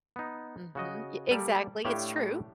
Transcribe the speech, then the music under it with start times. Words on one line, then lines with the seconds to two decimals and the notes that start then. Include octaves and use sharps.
Mhm, ye exactly, it's true.
0.16 B3 D#4
0.75 C#3 F#4 D#5
1.31 G3 A#3 A4 D5
1.85 A2 A3 D4 G4 C#5 F5